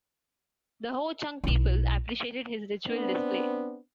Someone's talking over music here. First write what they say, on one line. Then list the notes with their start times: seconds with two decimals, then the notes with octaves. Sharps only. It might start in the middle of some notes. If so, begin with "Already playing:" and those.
The Ho-Chunk people appreciated his ritual display.
1.44 B1 E4
2.88 B3 C4 D4